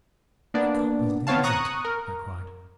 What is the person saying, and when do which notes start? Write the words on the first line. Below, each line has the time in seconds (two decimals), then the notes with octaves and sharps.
"I can't believe it," I cried.
0.54 A#3 B3 D4
1.27 B3 C4 C#5 F5 A5
1.43 A#5 C#6 D#6 F#6
1.85 A#4